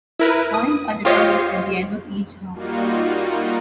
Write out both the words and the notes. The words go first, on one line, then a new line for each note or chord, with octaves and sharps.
Points are determined at the end of each round.
E4 A#4 B4
D#6
F4 G4 C5 C#5 D#5 F5
G3 A#3 D#4 F4 F#4